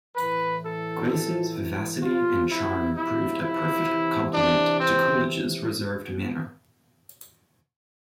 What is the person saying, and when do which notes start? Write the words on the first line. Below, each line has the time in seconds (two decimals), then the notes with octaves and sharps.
Grace's vivacity and charm proved a perfect complement to Coolidge's reserved manner.
0.16 A2 E3 B4
0.63 A4
1.09 A4
2.01 C3 F3 F4
2.48 E4
2.94 E4
3.40 E4
3.87 C3 E3
4.34 D4
4.80 C4